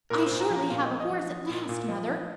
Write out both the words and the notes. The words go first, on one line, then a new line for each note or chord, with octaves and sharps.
"I surely have a horse at last, mother."
A#2 A#4
A#2 C5
A#5
F3
A#5
A#2 F5
F3 D#5
D#5
F3 D#5
F3
A#2
A#2
F3 D#5
F3